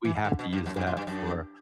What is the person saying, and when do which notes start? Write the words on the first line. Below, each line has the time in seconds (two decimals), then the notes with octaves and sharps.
we have to use that for,
0.05 E3
0.25 D3
0.39 B2
0.53 G2
0.66 F#2
0.76 G2
0.87 A2
0.97 G2
1.07 F#2